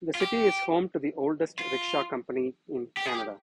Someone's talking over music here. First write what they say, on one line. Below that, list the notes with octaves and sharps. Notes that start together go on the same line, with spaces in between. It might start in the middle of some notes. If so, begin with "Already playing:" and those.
The city is home to the oldest rickshaw company in Canada.
F4
G4
F4
G4
G#4
G4